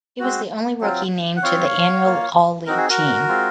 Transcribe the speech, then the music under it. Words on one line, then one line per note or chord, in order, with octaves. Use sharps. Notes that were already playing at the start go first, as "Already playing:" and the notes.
He was the only rookie named to the annual all-league team.
G#3 C4 F#4
F#3 C4 F4
F#5
C4 F4 C#5 F5
A#3 F4
C4 D#4 F#4 A#4
G#4
F#4 A#4
G#3 C4 F4